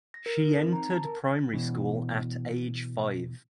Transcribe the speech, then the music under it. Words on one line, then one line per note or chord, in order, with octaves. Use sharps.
She entered primary school at age five.
A#6
A#4
D#4
C4
A#5
A5
A#4
B2 E3